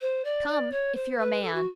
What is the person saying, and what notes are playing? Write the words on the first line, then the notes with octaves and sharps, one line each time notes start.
"Come--if you're a man!"
C5
D5
D5
C#5
C5
B4
A4
F#4